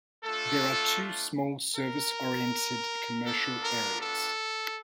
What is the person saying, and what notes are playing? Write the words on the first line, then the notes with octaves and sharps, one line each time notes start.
There are two small service-oriented commercial areas.
A3 D4 F4 A4
A#4
B3 D4 F4 A4
A#4
A4